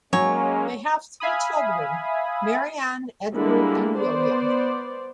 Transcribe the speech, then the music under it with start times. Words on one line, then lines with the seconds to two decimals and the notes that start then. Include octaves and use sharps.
They have three children: Marianne, Edward and William.
0.13 F#3 G#3 A#3 C#4 C#5 G#5
1.20 E5 F5 G#5 B5 D#6
3.33 D3 G3 G#3 A#3 E4
3.99 B3 C5 D5